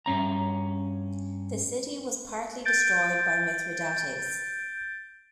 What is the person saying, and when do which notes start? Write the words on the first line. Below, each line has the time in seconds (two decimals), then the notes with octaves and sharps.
The city was partly destroyed by Mithridates.
0.06 G2 C#4 A#5
2.65 G6 A6 D7